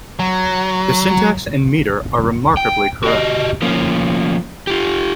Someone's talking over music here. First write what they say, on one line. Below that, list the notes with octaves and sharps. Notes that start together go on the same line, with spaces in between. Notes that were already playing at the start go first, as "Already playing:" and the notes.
The syntax and metre are remarkably correct.
F#3
G5
F#4 G4 D5 D#5
F3 A#3 C#4
F4 G4